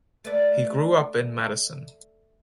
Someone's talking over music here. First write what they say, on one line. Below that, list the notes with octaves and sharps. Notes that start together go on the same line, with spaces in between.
He grew up in Madison.
A3 B4 D5